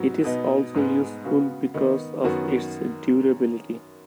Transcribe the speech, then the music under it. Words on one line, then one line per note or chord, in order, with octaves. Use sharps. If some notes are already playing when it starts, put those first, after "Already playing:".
It is also useful because of its durability.
Already playing: G#2 F#3 B3 F#4
B2 B3 D#4
G#2 G#3 B3
C#3 B3 F#4
D#3 B3 D#4
F#2 D#3 B3 F#4